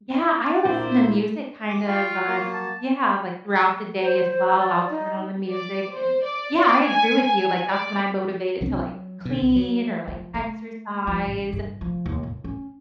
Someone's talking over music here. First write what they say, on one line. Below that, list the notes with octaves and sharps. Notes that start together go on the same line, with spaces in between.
yeah, I listen to music kinda, um, yeah, like, throughout the day as well, I'll turn on the music, and yeah, I agree with you like, that's when I'm motivated to, like, clean or like exercise,
D5
A#2 A#3 D4 E4 C5
G4
F4 F5 G5 C#6
A#3 F#4
A5
C5
C5
D5
D#4
D5
C5
D5
D5
G#5
G#5
D5
C2 F#3 C4 D4
F#3
B2 D3
C#2
F#3
F3
A3
F3
A1
G2
F3
D#2
A2
C#4